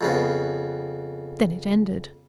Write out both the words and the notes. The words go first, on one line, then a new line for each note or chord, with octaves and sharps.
Then it ended.
F2 C#3 B3